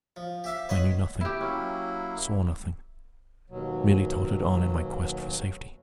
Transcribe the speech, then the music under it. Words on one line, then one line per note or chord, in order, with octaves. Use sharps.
I knew nothing, saw nothing, merely tottered on in my quest for safety.
F3
G4 E5 F5
B4 C#5 D#5 F#5 B5 C6
E4 G4
F#3 A#3 C#4 E4
D#2 B2 F#3